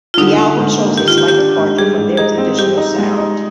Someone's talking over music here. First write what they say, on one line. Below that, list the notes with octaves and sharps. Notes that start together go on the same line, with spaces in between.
The album shows a slight departure from their traditional sound.
F4
D3 D#4
D3
G#2
A#3
D#3 G4
F4
D#3 G4
G4
D4
G#2
G3 G#4
G#2
D#4 G#4
C4
G3 G4
D#4
G#3
D#4